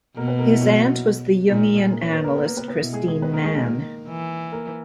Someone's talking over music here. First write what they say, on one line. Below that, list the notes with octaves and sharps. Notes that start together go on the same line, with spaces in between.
His aunt was the Jungian analyst Kristine Mann.
B2 A#3 A#4
B3 B4
A#3 A#4
E4
F#3 F#4
A#2 D#4
G#3 G#4
A#3 A#4
C#4 C#5
B3 B4
A#3 A#4
B3 B4
A#3 A#4
B3 B4
B3 B4
B2 E4
G#3 G#4
G#3 G#4
D#3 B3 B4
A#3 A#4
G#3 G#4
A#3 A#4
E3
A#3 A#4